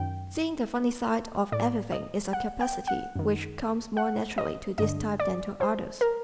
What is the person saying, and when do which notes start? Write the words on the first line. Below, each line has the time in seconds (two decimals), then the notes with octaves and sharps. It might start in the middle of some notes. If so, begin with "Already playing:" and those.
Seeing the funny side of everything is a capacity which comes more naturally to this type than to others.
Already playing: F#2 D#3 G5
1.52 A2 D5
1.92 D#5
2.33 F#5
2.61 G5
2.88 F#5
3.16 F#2 D#3
3.97 F#5
4.38 D#5
4.78 G2 D3 D#5
5.20 D5
5.61 C5
6.01 A#4